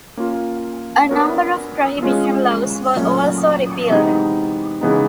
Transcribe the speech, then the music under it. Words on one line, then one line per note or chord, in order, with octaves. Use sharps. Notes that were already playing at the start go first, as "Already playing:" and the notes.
A number of prohibition laws were also repealed.
A#3 C#4 F4
B3 D4 F#4 A#4 C#5
G#3 C#4 F4
A#2 F#3 A3 C#4
C3 E3 G#3 B3 D#4
C#3 E3 G#3 B3 D#4